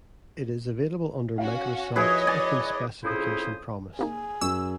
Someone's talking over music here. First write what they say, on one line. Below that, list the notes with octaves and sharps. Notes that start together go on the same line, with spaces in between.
It is available under Microsoft's Open Specification Promise.
C#4 F#4 F5
F3 E4 F#4 G#4 B4 C#5 D#5 D#6
D5 G#5
F2 C#3 E4 G#4 C5 D#6
C3 A#3 D#4 G#4
F#2 C#6 E6